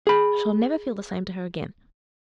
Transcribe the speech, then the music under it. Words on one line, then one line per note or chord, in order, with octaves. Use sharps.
I shall never feel the same to her again.
G#4 B5